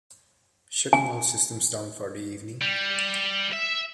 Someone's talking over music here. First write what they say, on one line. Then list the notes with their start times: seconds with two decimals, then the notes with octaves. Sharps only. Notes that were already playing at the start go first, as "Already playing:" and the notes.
Shutting all systems down for the evening.
0.93 G#5
2.61 G3
3.52 E5